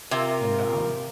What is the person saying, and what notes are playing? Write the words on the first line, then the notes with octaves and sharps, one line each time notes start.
"And now?"
C3 F4 A#4